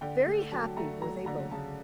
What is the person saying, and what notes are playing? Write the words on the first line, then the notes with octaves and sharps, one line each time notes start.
Very happy were they both.
D3 G5
A3
F#3 A5
A3 A#5
F#3 A#5
D3 A#5
C#3 A5